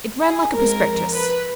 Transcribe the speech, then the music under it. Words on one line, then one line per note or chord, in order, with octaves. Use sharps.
It ran like a prospectus.
G#4
F2 F3 G#3 A#4
B4